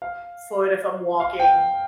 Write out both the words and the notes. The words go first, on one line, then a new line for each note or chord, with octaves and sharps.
foot, if I'm walking,
F5
F5
G5